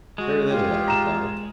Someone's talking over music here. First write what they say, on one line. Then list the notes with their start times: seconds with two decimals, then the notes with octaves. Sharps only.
"Very little," I replied.
0.18 G#3 F#4
0.50 F4 G4
0.88 A#5 E7